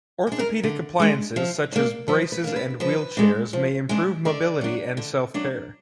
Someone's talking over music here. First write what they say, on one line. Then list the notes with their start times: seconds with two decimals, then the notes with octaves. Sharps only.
Orthopedic appliances such as braces and wheelchairs may improve mobility and self-care.
0.27 G#3 D4
0.39 A#4
0.63 D3
1.00 G#3 D4
1.36 F3
1.72 A#3 D4
2.08 F3 B4
2.32 B4
2.44 A#3 D4
2.56 B4
2.80 F3 B4
3.17 G#3 D4
3.53 F3
3.89 G#3 D4
4.25 D3 D5
4.61 F#3 D4
4.97 D3
5.34 F#3 D4